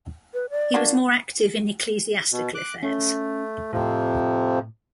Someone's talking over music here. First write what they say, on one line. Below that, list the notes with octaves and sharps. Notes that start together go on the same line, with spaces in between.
He was more active in ecclesiastical affairs.
B4
D5
A#3 D4 F#4
B2
D6 F#6
A3 C#4
F2 A2 C3 F3